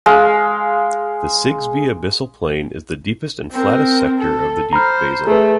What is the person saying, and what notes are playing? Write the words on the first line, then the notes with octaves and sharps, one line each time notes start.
The Sigsbee Abyssal Plain is the deepest and flattest sector of the deep basin.
G#3 F5
C4 A#4
A4
C5 A#5 B5 F6
A3 G#4 B4